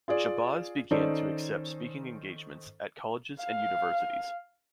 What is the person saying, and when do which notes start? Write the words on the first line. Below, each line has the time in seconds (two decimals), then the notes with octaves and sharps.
Shabazz began to accept speaking engagements at colleges and universities.
0.08 F4 G#4 D5
0.91 D#3 C#4 D#4 A4 C5 D5
3.43 F5